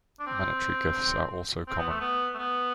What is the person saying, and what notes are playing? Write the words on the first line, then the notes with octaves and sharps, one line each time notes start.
Monetary gifts are also common.
D4
C4
C4
B3
A3
B3
A3
B3